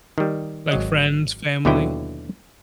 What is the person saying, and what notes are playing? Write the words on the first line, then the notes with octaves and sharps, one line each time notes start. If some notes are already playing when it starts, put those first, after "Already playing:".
Like, friends, family?
D#3 G3
G#1 F#3 D#5
D#2 B2 D3 F#3 E4 G5